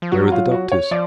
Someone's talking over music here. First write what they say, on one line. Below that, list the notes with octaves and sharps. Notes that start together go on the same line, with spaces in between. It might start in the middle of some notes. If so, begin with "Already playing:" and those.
Where were the doctors?
F3
F#3 F#4
F4
F#4
C#5
F3 D5